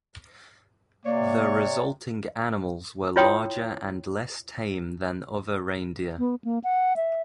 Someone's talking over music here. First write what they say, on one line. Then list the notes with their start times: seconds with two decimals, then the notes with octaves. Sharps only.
The resulting animals were larger and less tame than other reindeer.
1.05 C3 A#3 C#5 D5
3.16 E4 F4 C#5 G5 C6 D#6
6.19 B3
6.44 A#3
6.64 F#5
6.96 E5